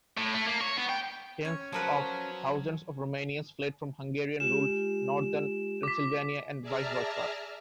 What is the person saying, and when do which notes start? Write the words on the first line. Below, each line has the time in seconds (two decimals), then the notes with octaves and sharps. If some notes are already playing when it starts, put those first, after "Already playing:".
Tens of thousands of Romanians fled from Hungarian-ruled Northern Transylvania, and vice versa.
0.18 A2
0.34 A3
0.47 A#3
0.61 C#5
0.77 B3
0.89 G5
1.45 C#4 C#5
1.72 F3 F#3 A#4 B4
4.40 G#3 F4 G4 E7
5.83 D6 B6
6.61 G#4 D5 E5 A5 A#5 F6